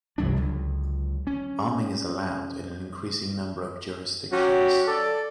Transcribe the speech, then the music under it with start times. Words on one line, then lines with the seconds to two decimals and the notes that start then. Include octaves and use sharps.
Arming is allowed in an increasing number of jurisdictions.
0.18 G1 C2 F3 F#3 D4
0.37 C#2 D3 F#3
1.27 C#4
4.32 F#3 C#4 F#4 G4
4.87 A4 D5